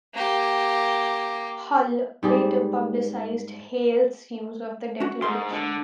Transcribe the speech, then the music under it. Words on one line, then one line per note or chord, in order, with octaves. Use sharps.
Hull later publicized Hale's use of the declaration.
A#3 G4
G#2 G3 G#4
C#4 F#4
G#2 C6
D3